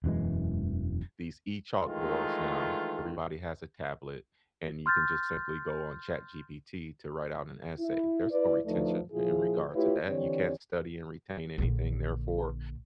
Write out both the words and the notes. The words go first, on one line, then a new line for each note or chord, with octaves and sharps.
these e-chalkboards now. Everybody has a tablet, and you can just simply go on ChatGPT to write out an essay. There's no retention in regard to that. You can't study and retain anything. Therefore,
E1 F#2 E3 G#3
D#3 E3 G#3 A3 F4
C6 F6 G6 A6
E4
E4 B4 D5
D2 F3 A3 D#4 B4 D5
A#2 F3 E4 F4 G#4
A3 E4 F4 G4 B4 C#5
D3 E3 C4 G4 C#5 D5
A#1 D3